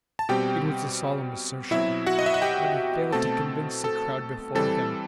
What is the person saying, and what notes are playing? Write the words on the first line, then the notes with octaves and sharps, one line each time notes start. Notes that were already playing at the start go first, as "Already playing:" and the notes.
It was a solemn assertion, but it failed to convince the crowd before him.
A5
B2 G3 C4 G4 G5
B2 F#3 C4 E4 E5
F#4 F#5
D#5
E5
F#5
G4 G5
B2 A3 C4 A4 A5
A4 A5
E3 G3 C4 A4 A5